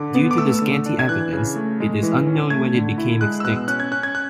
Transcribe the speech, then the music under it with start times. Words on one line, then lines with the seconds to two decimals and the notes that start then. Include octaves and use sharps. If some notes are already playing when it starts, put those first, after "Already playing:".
Due to the scanty evidence it is unknown when it became extinct.
Already playing: D3 D6
0.14 B3
0.31 D6
0.38 A3 E6
0.62 D3
0.86 D4
0.99 G#6
1.09 E3 F#6
1.32 C#3
1.56 A3
1.80 G#3
2.03 E3
2.27 C#4
2.50 A3 G#6
2.74 D3
2.98 E4
3.21 G#3 F#6
3.40 E6
3.44 B2 F#6
3.68 C#4 F#6
3.80 G#6
3.91 C#4 F#6
4.03 G#6
4.15 F#6